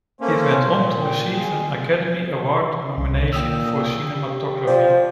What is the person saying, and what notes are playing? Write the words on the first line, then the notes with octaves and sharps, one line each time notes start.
It went on to receive an Academy Award nomination for cinematography.
A3 A#3 C#4 C5
A#2
G5
G#4
C2
A#2 G5 D#6 E6
G4
F3 C5 D5 G5